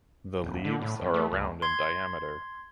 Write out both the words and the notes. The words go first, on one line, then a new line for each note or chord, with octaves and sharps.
The leaves are around in diameter.
D#1
D3
A2
F2
A3
C#2
C6 G#6